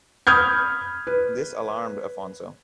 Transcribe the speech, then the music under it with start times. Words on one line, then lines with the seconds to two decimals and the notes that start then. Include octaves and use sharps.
This alarmed Afonso.
0.27 B5 D#6 F6 G6 G#6
1.07 B4